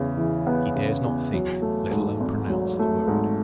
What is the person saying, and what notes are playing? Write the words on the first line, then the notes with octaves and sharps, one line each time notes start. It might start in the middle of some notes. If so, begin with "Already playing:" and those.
He dares not think, let alone pronounce, the word.
Already playing: E2 C#3
E3
B3
C#3
E2
F#3
A3
G#2
G#1
F#3
A3
G#2